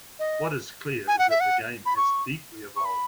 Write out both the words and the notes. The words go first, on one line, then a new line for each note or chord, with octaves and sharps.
What is clear is that the game has deeply evolved.
D#5
G#5
F#5
E5
F#5
B5
C#6
C#6
B5